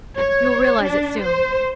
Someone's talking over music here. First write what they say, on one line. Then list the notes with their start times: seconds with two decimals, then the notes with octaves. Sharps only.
You will realize it soon.
0.16 C#5
0.83 D4
1.21 C5